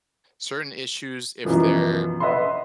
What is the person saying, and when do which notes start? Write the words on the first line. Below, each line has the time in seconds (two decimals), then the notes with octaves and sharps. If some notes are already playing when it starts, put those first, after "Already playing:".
certain issues, if they're
1.45 F#2 B2 E3 F3
2.20 B4 D#5 E5 F#5 B5 C6